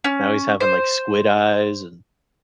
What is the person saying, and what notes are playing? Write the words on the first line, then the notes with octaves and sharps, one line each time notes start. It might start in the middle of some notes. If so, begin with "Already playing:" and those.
now he's having, like, squid eyes, and
C#4
C5